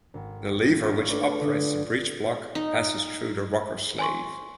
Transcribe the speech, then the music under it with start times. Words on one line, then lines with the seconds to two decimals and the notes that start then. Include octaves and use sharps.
The lever which operates the breech-block passes through the rocker-sleeve.
0.14 G#1
0.82 G#1 D4 F4 C#5 C7
1.08 A3 D4 B4
1.40 D3 G#3 D4 D#6
2.55 D#4
3.99 G#5 C6 C#6